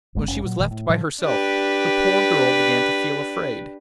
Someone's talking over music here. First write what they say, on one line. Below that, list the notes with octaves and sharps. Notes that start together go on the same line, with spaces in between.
When she was left by herself the poor girl began to feel afraid.
D#1 G#1 G#3 A#3
F1 C#4
A#2 F#3
F1 A#2 D#3 G3
A2
A2 F3 G3
D4 G4 B4